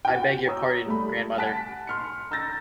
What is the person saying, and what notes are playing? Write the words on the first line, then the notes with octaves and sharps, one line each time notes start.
I beg your pardon, grandmother.
F#4 F#5 G5
C#5 A#5 D#6 E6
G3 A3 B5
F#5 G#5 A5 F#6 B6 D7
C6 F6 C#7
A#5 E6 G6 A6 A#6